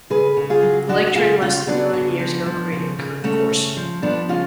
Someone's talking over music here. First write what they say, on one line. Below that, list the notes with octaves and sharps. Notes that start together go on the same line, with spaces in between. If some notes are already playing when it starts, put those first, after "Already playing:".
The lake drained less than a million years ago, creating the current course.
C#3 G#4 B4
C#3
F4 G#4
F#3
F#3 D4 F#4
F#4
C#3 F4 G#4
C#3 C#4 F4
C#3 B3 D4
C#3
F3
F3
C#3
C#3
C#3 A3 C#4
C#3
F3
F3 B3 D4
C#3 C#4 F4